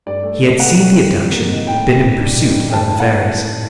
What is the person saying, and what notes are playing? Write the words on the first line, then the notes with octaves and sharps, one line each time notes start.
He had seen the abduction been in pursuit of the fairies.
G2 D5
A3
A3
G3 F#5
C4
G3
C3
A#3
D#4
A2 G5
A#3
A2
D4
D#3
D4
G5
A2 A5
A2
F#5
A2